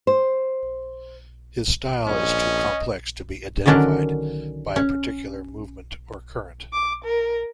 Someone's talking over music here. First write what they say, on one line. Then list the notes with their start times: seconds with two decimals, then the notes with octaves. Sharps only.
His style is too complex to be identified by a particular movement or current.
0.07 C5
2.07 A#1 C#4 D#5
3.66 D3 D#3 F#3 C#4 D4 A#4
4.76 C#4
6.73 D6
7.04 A#4